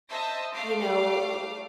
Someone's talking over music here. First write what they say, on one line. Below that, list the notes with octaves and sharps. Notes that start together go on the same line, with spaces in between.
you know,
C5 D#5 E5 A5 A#6
A3 F5 D6 C7